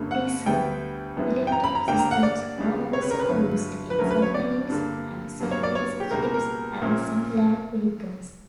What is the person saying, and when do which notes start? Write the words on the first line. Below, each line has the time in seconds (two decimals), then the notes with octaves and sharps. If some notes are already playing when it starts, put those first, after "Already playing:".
Diesel-electric systems are also used in submarines and surface ships and some land vehicles.
Already playing: G1 G2 D3 A#3 C#4
0.11 F#5
0.46 D2 D3 G3 B3 G5
1.17 F#2 E3 G3 B3 D4
1.47 G5
1.52 A#5
1.64 B5
1.75 A#5
1.88 G2 D3 A#3 D4 G5
1.99 A#5
2.11 F#5
2.23 D5
2.57 C#2 C#3 G3 C#4
2.93 C#5
3.02 B4
3.11 A#4
3.19 B4
3.29 G1 G2 F#3
3.90 B4
3.99 D2 D3 F#3 C#4 A#4
4.11 B4
4.22 C#5
4.34 D5
4.70 G2 D3 A#3
5.40 G2 F#3 A#3
5.51 C#5
5.63 D5
5.75 C#5
6.00 G4
6.11 C#2 B2 G3 A#3 A#4
6.22 A#4
6.34 A#4
6.81 A#1 A#2 A#3 C#4